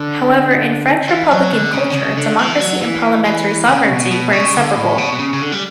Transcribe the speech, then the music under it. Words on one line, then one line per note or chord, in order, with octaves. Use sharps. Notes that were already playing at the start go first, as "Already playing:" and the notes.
However, in French Republican culture, democracy and parliamentary sovereignty were inseparable.
Already playing: D3
E3
F#3
D3
C#3
D3
C#3
D3
E3
F#3
E3
E3
C#3
B2
B2
C#3
D3
A2
B2
B2
C#3
C#3
D3
G3